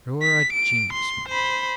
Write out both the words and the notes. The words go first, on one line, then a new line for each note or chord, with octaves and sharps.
'You're a genius, my dear.'
B6
D7
C6
C5 B5